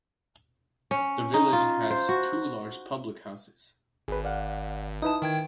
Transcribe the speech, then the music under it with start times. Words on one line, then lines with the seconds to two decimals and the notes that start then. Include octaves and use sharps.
The village has two large public houses.
0.91 C#4
1.34 D#4
1.53 F4
1.91 C5
2.09 F#4
4.08 G#1 G#4 B4
4.24 D5 F5 F#5
5.02 D#4 E4 B4 A5 D#6
5.22 D#3 G5 G#6